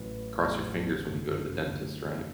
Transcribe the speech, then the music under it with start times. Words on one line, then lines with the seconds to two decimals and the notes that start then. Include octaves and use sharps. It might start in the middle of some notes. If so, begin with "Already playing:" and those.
cross your fingers when you go to the dentist, right?
Already playing: A1 A2 F#3 B4
0.43 A1 A2 F#3
1.04 G1 F#2 C#3 E3 A4
1.63 D2 D3 F#3